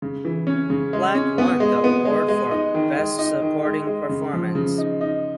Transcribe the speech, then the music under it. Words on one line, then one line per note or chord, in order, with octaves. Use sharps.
Black won the award for Best Supporting Performance.
C#3
E3
C#4
C#3
G#3
C#4
B3
G#3
B3
G#3
G#3
D#4
D#3
G#3
D#4
D#3
G#3
G#3
C#3
F3
C#3
D#4
D#4